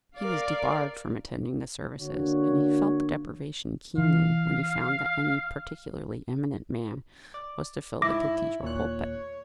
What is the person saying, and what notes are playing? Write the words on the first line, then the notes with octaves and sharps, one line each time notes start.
He was debarred from attending the services, and he felt the deprivation keenly when he found that any particularly eminent man was to fill the cathedral pulpit.
A#4 D5 F5
D3 A#3 D4 F#4 C#5
E3 F5
D5
G#2 E4 D6 A#6
D#2 A#2 C#5 F#6